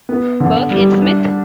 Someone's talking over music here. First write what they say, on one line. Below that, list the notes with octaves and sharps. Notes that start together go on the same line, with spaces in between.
Burk and Smith?
B3
D3
G3
D4